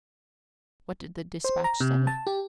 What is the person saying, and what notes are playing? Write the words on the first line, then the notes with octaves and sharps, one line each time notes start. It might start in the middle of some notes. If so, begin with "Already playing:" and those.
What did the despatch say?
C5
A#5
C3
A5
G4